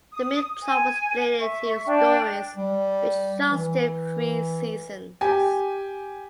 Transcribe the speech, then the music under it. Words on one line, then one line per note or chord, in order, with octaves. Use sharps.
The main plot was split into stories which lasted three seasons.
D#6
G#5
E5 C#6
D4 G5
G3
E3
G4 G#5